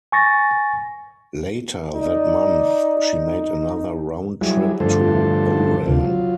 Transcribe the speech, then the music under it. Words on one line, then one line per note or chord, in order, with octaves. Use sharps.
Later that month she made another round trip to Oran.
G#5 C#6 A6 A#6
D#4 D5
F#3 G3 E4 G#4
G2 D3 F3 A3 A4 C5
D2 C3 F4
F#3 F4